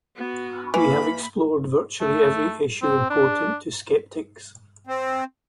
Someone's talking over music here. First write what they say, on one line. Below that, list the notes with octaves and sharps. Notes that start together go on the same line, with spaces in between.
We have explored virtually every issue important to skeptics.
B3 F#4
E3 A#3 B5
A3
C4
D4
C4